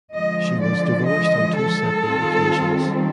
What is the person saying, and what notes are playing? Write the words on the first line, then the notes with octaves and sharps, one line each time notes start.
She was divorced on two separate occasions.
D3 F3 G#3 D#5
D5
D#5
A4
D#3 G3 C4 F4